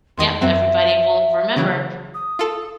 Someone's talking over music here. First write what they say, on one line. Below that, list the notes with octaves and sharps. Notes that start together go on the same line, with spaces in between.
Yep, everybody will remember
E2 D#3 D#5 C6
F#2 F#3 C4 E5
C#3 E3 F#3
D#6
F4 A4